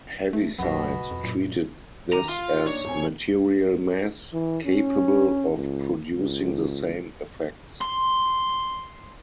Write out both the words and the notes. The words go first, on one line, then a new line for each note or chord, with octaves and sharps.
Heaviside treated this as material mass, capable of producing the same effects.
A3
B1 F#2 B2 B3
F2
F#2 A#2
D#3 A#5 D6 D#7
F4 F5
A#2 D4 D#4 C#5
E1 C4 G#5
E3
C#4
C#2
C#2
C6